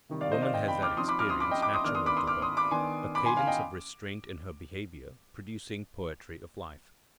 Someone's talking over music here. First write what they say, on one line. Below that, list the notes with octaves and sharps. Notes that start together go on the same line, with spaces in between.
Woman has that expression natural to her--a cadence of restraint in her behaviour, producing poetry of life.
C3 D#3 G3
D5 F5
C5 D#5
D5 F5
D#5 G5
G5 B5
D6 F6
F3 C4 D#4 C6 D#6
B5 D6
D6 F6
C6 D#6
B5 D6
D#5 G5
B5 D6
C6 D#6
D#3 B3 D4 D6 F6
C6 D#6
B5 D6
C6 D#6
D6 F6
C6 D#6
B5 D6
D#3 B3 D4 G#5 C6
B5 D6
G#5 C6
F5 G#5
D#5 G5